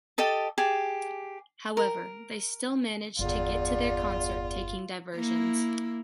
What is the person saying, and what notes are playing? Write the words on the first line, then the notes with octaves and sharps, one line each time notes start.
However, they still managed to get to their concert taking diversions.
G4 A4 D#5 A5
G4 G#4 A5
A#4
G1 E2 F4 D5
A#3 E4